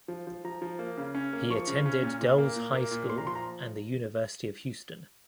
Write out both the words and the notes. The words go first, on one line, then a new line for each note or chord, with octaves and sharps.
He attended Dulles High School and the University of Houston.
F3
F3
F3 A#5
F3
A#3
C#3
C#4
A#3
F3 C#6
C#3
C#4
A#2
A#2
A#3
A#2
A#3
A#2
A#2 C6
A#5
F3 C6
A#5